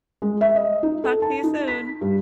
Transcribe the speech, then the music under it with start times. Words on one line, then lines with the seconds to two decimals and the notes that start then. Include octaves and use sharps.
Talk to you soon.
0.22 G#3
0.41 E5
0.56 D#5
0.83 D#4
1.04 A4
1.22 A5
1.44 D#4
1.68 B6
2.01 G2